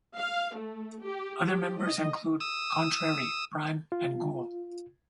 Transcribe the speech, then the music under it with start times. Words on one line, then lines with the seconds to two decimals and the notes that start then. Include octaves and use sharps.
Other members include Contrary, Prime and Ghoul.
0.18 F5
0.55 A3
1.03 G4
1.45 G4
1.81 D#5
2.40 D#6 E6
3.92 F4